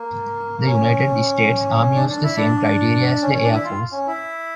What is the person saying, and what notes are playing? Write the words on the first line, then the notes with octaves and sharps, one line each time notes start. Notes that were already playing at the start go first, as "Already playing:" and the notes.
The United States Army used the same criteria as the Air Force.
Already playing: A#3
A#3
C#4
D4
D4
E4
D4
C#4
C#4
D4
E4
F4
C#4
E4